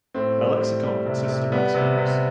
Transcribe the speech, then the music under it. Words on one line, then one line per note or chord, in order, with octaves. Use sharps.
A lexicon consists of lexemes.
A2 C4
G3
A2
G3
C3
C3
G3 B3
C3
C3